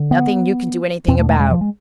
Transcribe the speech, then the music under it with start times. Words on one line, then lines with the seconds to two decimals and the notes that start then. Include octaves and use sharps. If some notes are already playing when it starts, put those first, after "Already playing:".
Nothing you can do anything about.
Already playing: D3
0.11 B3
1.08 E2 B2 C4
1.19 A3
1.29 A3
1.40 G#3
1.51 F3
1.61 G#3